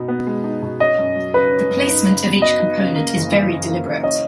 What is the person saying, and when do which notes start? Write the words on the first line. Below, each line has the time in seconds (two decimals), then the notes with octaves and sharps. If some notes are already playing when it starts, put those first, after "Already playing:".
The placement of each component is very deliberate.
Already playing: B2 D#4
0.08 B3
0.27 G#3
0.44 D#4
0.62 B2
0.80 C#4 D#5
0.98 F#2
1.16 F#3
1.34 C#3 B4
1.52 C#4
1.70 F#2
1.87 D#4
2.06 C#3
2.24 B3
2.42 F#3 D#5
2.59 D#4
2.78 C#3
2.96 A#3
3.14 F#1
3.32 E3
3.49 F#2
3.67 A#3
3.85 F#1
4.03 C#4 D#5